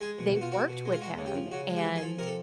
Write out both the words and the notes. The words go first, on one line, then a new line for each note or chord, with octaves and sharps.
they worked with him, and,
G#3 G#4
B2
B2
F4
B2 F#4
B2
G#3
F4
G#3 F#4
C#3
G4
F3
C#3 F#4
G#3
G4
F3
G#4
F3 A4
C3 A#4
A4